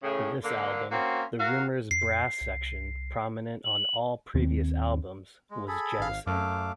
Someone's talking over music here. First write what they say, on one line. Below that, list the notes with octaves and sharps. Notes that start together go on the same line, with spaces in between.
For this album, The Rumour's brass section, prominent on all previous albums, was jettisoned.
A2 C#3
D3 A#3
A#3 C4 C#4 F#4
F#4 A#4 F5
F2 C7
C2
F#7
D#2 D#3 C4
G#3
G#4 A4 B5
G#1 F5
F#2 A3 F5 D6